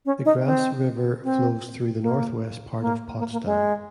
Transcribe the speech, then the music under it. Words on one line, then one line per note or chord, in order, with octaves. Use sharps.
The Grasse River flows through the northwest part of Potsdam.
C#4
D#4
C4
C4
A#3
A#3
A#3
A#3
G#3